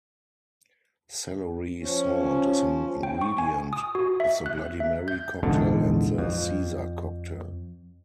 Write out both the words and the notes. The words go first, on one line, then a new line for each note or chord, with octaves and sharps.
Celery salt is an ingredient of the Bloody Mary cocktail and the Caesar cocktail.
F3 C#4
G5
C#6
G#5
D#6
F#4
E5
F#6
E5
G6
A#1 E2 G#2 D3
F2